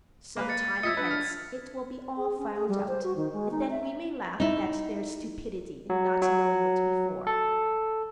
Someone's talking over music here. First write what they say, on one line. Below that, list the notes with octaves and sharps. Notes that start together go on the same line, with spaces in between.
Some time hence it will be all found out, and then we may laugh at their stupidity in not knowing it before.
A#3 B4
A6 C#7
F4 D#5 E5 G#6 B6 C#7
D4 B4
F6
G#4
C#4
G#4
G3
C5
F#4
D#3
G#3
D#4
E5
D#4 E4
F#3
F#3
A4